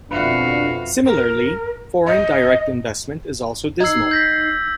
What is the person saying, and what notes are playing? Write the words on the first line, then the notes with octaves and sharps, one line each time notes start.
Similarly, foreign direct investment is also dismal.
F2 B2 D3 D4 E4 F#4 B4 F5
A#4
D#5
D#4 E6 G#6 C7
G6 A#6 B6